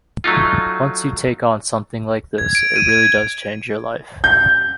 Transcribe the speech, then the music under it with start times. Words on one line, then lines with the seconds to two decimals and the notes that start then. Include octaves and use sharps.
Once you take on something like this, it really does change your life.
0.24 F#3 A3 D#4 F4
2.38 G#6
2.55 D7
2.76 D#7
2.89 G#6
4.24 G6